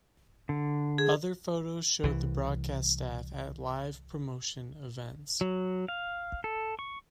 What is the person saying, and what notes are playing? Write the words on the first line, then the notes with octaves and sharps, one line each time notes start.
Other photos showed the broadcast staff at live promotion events.
D3
G#4
C2 E3
F#3
F5
A4
C#6